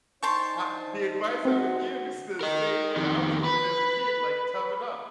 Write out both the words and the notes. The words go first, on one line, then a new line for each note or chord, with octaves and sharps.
uh, the advice I would give is the same one I was given as a kid, like, "Toughen up.
D4 D#4 C5 G5 A5 C6 C#6
C4 F#4
A#4 D#5
F2 D#3
B4